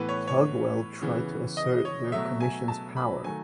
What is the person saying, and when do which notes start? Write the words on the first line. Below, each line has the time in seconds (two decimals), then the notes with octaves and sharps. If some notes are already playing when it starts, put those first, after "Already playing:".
Tugwell tried to assert the commission's power.
Already playing: A2 E3 B3 B4
0.09 C#5
0.27 C#5
1.01 C#3 E3 B3
1.57 D#5
1.85 C#5
2.12 B2 F#3 A3 E5
2.40 G#5
2.68 A5
2.97 B5
3.24 D#3 F#3 A3 G#5